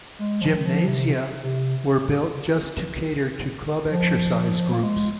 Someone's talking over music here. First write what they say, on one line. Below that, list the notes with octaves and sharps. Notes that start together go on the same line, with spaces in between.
Gymnasia were built just to cater to club exercise groups.
G#3
F3
D#3
F3
C3
C3
F3
A#3
G#3